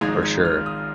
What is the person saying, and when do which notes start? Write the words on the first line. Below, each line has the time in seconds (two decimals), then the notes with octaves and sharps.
For sure.
0.01 G#1 G#2 F3 G#3 D#4 G#6
0.23 G#6
0.45 F6
0.66 D#6